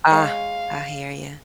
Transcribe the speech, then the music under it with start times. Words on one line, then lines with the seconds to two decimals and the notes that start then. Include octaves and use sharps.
Ah, I hear you.
0.11 G#3 C#5 F5